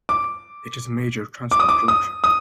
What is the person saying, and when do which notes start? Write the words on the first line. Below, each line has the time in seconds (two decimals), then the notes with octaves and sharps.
It is a major transport junction.
0.09 D6
1.51 D6
1.60 D#6
1.69 D6
1.88 D#6
2.24 D#6